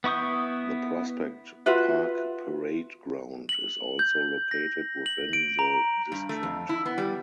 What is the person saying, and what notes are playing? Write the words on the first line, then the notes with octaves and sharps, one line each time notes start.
The Prospect Park Parade Ground is also located within the district.
B3 E4 C#6 D#6 G6
F4 F#4 B4 E5
F#7
G6
A#6
F#7
D7
A#5
G2
A3
F2
E4
B3
G3